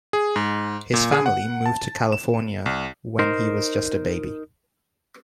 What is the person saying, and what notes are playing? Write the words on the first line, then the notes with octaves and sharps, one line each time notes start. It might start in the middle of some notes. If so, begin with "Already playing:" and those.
His family moved to California when he was just a baby.
G#4
G#2
A#2
G#4
F#5
A5
E7
C2
D#4 A#4 C5